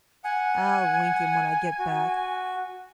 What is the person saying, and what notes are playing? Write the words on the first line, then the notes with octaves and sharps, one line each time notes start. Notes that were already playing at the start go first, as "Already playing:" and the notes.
I'll wink him when I get back.
F#5 G#5
F#4